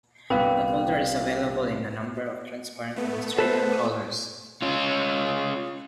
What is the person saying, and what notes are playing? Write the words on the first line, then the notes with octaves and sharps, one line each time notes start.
The Kultur is available in a number of transparent demonstrator colors.
C2 G2 A#2 B3 F5 G5
A3 B3
A4 B4 C5
C#4 F4